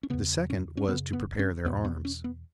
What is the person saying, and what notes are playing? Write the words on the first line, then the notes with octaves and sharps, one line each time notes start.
The second was to prepare their arms.
C#4
E2 C#3 B3
C#4
C#4
F#2 C#3 B3
B3
C#4
E2 B2 B3
B3
C#4
B3